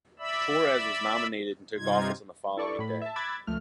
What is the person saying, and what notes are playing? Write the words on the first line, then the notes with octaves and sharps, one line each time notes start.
Torres was nominated and took office on the following day.
D5 E5 B5 E6
G2 C3 G3 D#4 F4 G#6
E4 A4 D5 C#6
A2 B5
E5 A5
B5 D6 E6 F#6 G#6 A6
C#2 F3 A3 F6